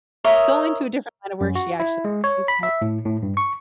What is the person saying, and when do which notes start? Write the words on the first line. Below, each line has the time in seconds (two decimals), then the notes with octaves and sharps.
go into a different kind of work she actually likes more.
0.24 A#4 C#5 D#5 E5
1.41 F#2
1.55 F#4
1.80 E4
2.05 G#3
2.24 C#5
2.48 B5
2.63 E5
2.82 A2
3.05 A2
3.23 G2
3.37 C#6